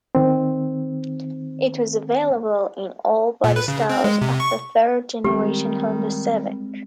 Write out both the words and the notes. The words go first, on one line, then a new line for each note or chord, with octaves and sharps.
It was available in all bodystyles of the third generation Honda Civic.
D#3 C4
A#2
B4
C#3
C4
G#3
C3
C#6
D#3 G3 G#3 C4 G4